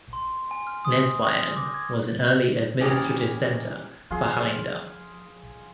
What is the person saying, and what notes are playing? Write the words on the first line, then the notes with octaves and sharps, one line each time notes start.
Nesbyen was an early administrative center for Hallingdal.
C6
G#5
F6
D#6
A#6
F6
D6
G#6
A#2 E3 C#4 G4 G#4
F3 F4 G#4 C6